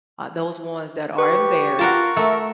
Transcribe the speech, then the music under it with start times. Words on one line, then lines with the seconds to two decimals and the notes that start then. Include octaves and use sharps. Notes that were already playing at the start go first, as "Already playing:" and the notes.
uh, those ones that are embarrassed,
1.18 G4 B4 C#6
1.79 F4 F#4 A#4 A5
2.17 A3 A#4 E5